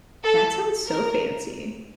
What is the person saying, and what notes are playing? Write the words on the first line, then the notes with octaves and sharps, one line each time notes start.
That sounds so fancy.
A4
A#4